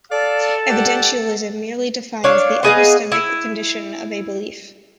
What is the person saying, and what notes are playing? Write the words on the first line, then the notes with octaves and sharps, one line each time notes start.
Evidentialism merely defines the epistemic condition of a belief.
A4 D5 F5
G4 D5 F#5
D4 C#5 F5
B3 G#4 D#5 F5
E4